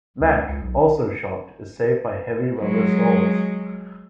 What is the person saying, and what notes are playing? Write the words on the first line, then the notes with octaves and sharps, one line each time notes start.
Mac, also shocked, is saved by heavy rubber soles.
C#2
C#2
B1
F#3 G#3